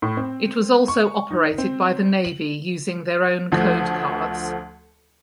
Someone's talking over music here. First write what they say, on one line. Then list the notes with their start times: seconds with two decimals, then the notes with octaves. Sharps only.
It was also operated by the Navy using their own code cards.
0.02 A2
0.17 C4
0.88 C#6
1.30 D#4
1.58 C4
2.25 F#7
3.52 D2 F3 A3